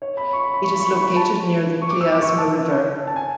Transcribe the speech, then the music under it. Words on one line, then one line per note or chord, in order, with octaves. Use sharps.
It is located near the Klyazma River.
C#5
B5
C#6
B5
B5
C#6
B5
C#6
B5
C#6
B5
A5
C#6
D6
E6
D6
C#6
A5
A5
G#5